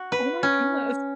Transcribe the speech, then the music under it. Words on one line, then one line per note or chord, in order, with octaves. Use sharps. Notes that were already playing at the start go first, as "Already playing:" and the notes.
Oh my goodness.
Already playing: F#4
B4
C#4